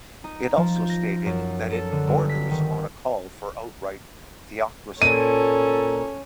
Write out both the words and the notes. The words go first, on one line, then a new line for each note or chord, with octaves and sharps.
It also stated that it "borders on a call for outright theocracy".
D#4
F3
G6
A#6
F#2
A4
D3
G1
B6
D#3
A#2 C#4 A4 D#7